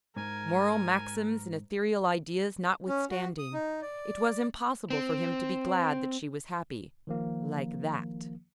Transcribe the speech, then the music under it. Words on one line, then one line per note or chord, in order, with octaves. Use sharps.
Moral maxims and ethereal ideas notwithstanding, it was impossible for him to be glad that she was happy--like that.
G#2 A#4 G#5
C#4
F#4
D#6
D#4
D5
C4
D#3 F3 A#3